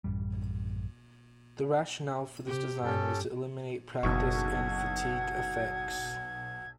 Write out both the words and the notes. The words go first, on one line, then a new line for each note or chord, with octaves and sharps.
The rationale for this design was to eliminate practice and fatigue effects.
A1 F#2 G3
C3 G4
G2 C#4 G4 A4
F#1 B1 B2 F#5 C#6 G#6